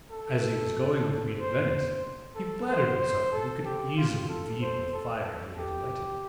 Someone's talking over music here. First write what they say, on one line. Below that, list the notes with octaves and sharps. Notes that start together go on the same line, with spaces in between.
As he was going with me to Venice, he flattered himself that he could easily feed the fire he had lighted.
A4
C5
A4
C5
C5
A4
G4
F4
A4
C5
A4
A4
G4